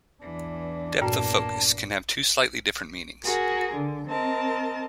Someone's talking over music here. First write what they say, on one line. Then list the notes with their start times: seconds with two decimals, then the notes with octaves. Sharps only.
"Depth of focus" can have two slightly different meanings.
0.22 E2 E3 D4
1.02 G2 A#2 A#3 F#4 A5
3.23 F#4 G#4 A#4
3.73 D3
4.06 C4 A#4 D#5 A5